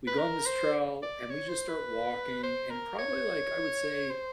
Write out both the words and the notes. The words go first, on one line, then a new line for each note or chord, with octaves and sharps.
we go on this trail and we just start walking and probably like I would say
B4
A#4
C5
D5
C#5
C5
B4
C5
A#4
C#5
C5